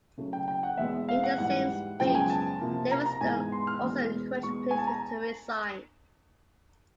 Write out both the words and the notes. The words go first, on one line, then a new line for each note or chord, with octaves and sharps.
In the same speech, Livingston also encouraged Clinton to resign.
C#3 F#3 A3
G5
G5
F#5
E2 B2 G#3 B3 E5
F5
F#5
G#2 E3 G3 F#5
F#2 C#3 F3 G#3 B3 G5
G#5
A5
C3 F3 A#3
A#5
A#5
G#2 E3 G#3 B3 G#5
C6
F6
E2 B2 G#3 B3
B2 G#3 B3 C#6
G#5
A5
A#5